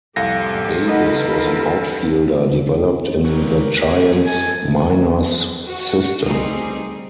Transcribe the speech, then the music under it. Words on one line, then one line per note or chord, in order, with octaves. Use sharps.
Davis was an outfielder developed in the Giants minors system.
C2 F2 A2 G4 A4 F5 A#6
D#4 F4 A#4 B4 D#5 F#5
F3 C4 D4 F#4 A#4 B4
C3 G#3 C#4 G#4 B4
A4 G#5
F#4
G3 A3 C4 D#4 G#4